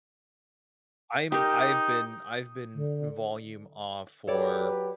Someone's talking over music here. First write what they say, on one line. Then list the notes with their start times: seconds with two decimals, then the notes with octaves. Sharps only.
I'm I've been I've been "volume off" for
1.32 D#4 G4 A#4
2.74 D3
4.28 F#3 G4 A4 B4 C#5 D5